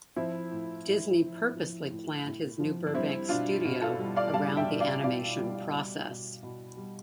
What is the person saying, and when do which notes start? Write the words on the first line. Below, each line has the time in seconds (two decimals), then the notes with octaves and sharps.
Disney purposely planned his new Burbank studio around the animation process.
0.16 F3 C4 E4
0.51 A2
0.86 A2
1.21 F3
1.55 F3
1.90 A2
2.25 A2
2.60 F3
2.87 D4
2.95 G3 C4 E4
3.29 B2 D4 F4
3.64 B2
3.82 F4 A4
3.99 G3
4.16 D5 F5
4.34 G3 F5 A5
4.57 E5 G5
4.68 B2
4.80 D5 F5
5.03 B2 D5 F5
5.38 G3
5.73 G3
6.07 B2
6.43 B2
6.77 G3